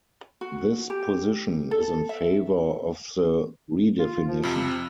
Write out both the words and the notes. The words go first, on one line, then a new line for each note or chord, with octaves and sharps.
This position is in favor of the redefinition.
F#4
G4
A4
E5
F4
F3
F2 C3